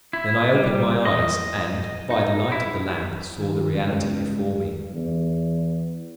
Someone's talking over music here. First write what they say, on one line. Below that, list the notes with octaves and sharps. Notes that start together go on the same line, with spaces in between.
Then I opened my eyes and, by the light of the lamp, saw the reality before me.
E4
G3
D#5
D#4
E4
D#3
C#2
E2